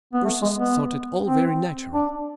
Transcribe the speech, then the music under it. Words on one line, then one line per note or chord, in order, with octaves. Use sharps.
Ursus thought it all very natural.
B3
A3
G#3
B3
C4
D4